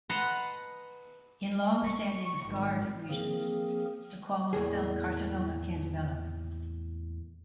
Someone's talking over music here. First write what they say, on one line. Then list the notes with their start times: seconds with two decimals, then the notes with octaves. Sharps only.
In longstanding scarred lesions, squamous cell carcinoma can develop.
0.09 B4 D#5 F#5 A5 A#5 C6
1.84 C#6
2.46 G#1
3.10 F3 A#3 C4 G#4 A#4
4.53 E2 A2 A#3 G#4